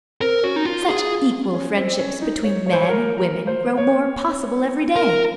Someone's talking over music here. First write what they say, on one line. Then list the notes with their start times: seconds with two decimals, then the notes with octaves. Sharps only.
Such equal friendships between men and women grow more possible every day.
0.21 C4 A#4
0.43 C#4 F#4
0.56 D#4
0.65 F4
0.88 F#4 G#4
1.10 F4
1.54 C#4
1.77 C4
1.99 C#4
2.22 D#4
2.44 C#5
2.66 C#5
2.73 C5
2.81 C#5
2.89 A#4
3.18 A#4
3.47 C5
3.77 C#5
4.96 A#4